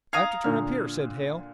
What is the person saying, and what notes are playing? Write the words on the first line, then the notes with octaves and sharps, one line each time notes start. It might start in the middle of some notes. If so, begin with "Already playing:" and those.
"I have to turn up here," said Hale.
F5 A#5 D#6 G#6
A#2 D3 F6